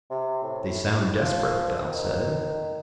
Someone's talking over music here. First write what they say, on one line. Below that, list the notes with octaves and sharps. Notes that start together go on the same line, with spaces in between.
"They sound desperate," Dal said.
C3
A2
F3
D#3